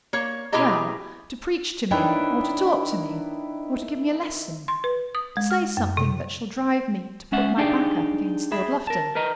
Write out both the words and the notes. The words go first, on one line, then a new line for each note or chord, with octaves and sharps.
"Well, to preach to me, or to talk to me, or to give me a lesson; to say something that shall drive me to put my back up against Lord Lufton?"
A#3 C#5
B2 E4 G4 G#4 D#5 A#5
D#3 D4 E4 B4 C#5 G5
C6
B4
D#6
G#3
F6
F#2
C3
G#3 C#4 E5 F#5
D4 D#4 G4 G#4 D5
G#4 E5 B5
A#4 A5
A#4 B4 D#5 A#5